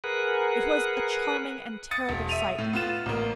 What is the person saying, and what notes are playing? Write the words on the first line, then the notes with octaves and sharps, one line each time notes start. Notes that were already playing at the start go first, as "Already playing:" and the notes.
It was a charming and terrible sight.
G#4 A#4 B4 F#5
D#6 A6 C#7
E1
E5 D#7 F7
A2
B3 F4 E7
A1 A#3